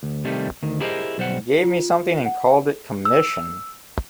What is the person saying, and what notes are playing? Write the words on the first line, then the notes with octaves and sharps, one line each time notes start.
He gave me something and called it commission.
D2
C3 D#3 G3 A3
D2 D#3
E4 G4 G#4 A#4 C5 D#5
B1 G3 C5 F#5
F4
F#5
E6